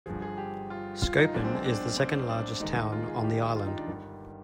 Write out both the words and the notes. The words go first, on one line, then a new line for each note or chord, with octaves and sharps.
Skopun is the second-largest town on the island.
G1 G2 F3 G#4
G#4
G4
F4
F4
D#4
B1 B2 G#3 D4
C4
C4
D4
C4
D4
D#2 D#3 G#3 D#4
F4
G#4
G4
F4
D#4
D4
G1 G2 D#3 G3